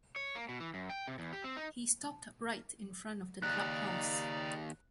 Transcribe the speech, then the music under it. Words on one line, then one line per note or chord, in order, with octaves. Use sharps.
He stopped right in front of the clubhouse.
C#5
A#3
B2
E3
F#2
G5
C3
E2
G4
C4
D#4
D#2 C#3 D5 A#5 F#6